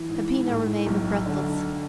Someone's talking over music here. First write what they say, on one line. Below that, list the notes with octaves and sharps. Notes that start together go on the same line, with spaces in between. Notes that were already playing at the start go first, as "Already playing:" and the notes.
Peppino remained breathless.
Already playing: E3
G#2
A2
B1
D3